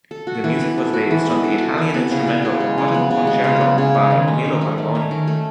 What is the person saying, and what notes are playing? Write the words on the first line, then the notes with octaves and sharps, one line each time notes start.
The music was based on the Italian instrumental, "Autumn Concerto," by Camillo Bargoni.
A4
F#4
E3
B3
A4
F#4
E3
B3
A4
F#4
E3
B3
C#3
B3
C#3
G#3
C#3
B3
C#3
G#3
C#3
B3
C#3
G#3
D#3
C#4
D#3
A3
D#3
C#4
D#3
A3